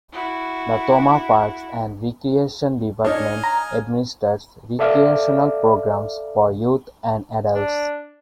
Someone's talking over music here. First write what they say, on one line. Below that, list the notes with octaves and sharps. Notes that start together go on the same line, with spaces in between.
The Tomah Parks and Recreation Department administers recreational programs for youth and adults.
E4 F#4
D4 D#4 C#5 D#5 F5 G#5
A#5
A4 D5 E5 F5 D6 F6
D4